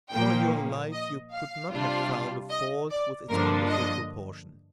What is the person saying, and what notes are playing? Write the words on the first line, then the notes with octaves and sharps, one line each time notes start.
For your life you could not have found a fault with its wonderful proportion.
A#2 F3 A#3 G5
D#5
F5
C3 G3 D4 F4
D#5
D5
G2 D3 F3 A#3 D4 A#4
D#5